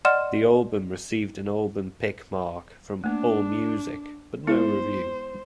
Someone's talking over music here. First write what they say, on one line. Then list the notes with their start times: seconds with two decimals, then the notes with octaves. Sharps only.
The album received an Album Pick mark from Allmusic but no review.
0.05 D5 D#5 F#5 C6 F6 E7
3.04 A3 A#3 D4
4.47 G#3 B3 E4 C5